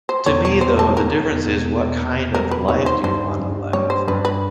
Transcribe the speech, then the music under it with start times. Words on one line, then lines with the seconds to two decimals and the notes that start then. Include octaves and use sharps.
To me, though, the difference is what kind of life do you wanna live.
0.09 C5
0.26 E1 C#5
0.45 C#5
0.61 E1 C5
0.79 A4
0.97 D#2 A#4
1.31 E1
1.65 E1
2.00 E1
2.34 G3 A#4
2.51 B4
2.69 D#2 C#5
2.86 C5
3.03 G2 C5
3.39 G2
3.73 G3 C#5
3.90 C5
4.07 G2 B4
4.25 B4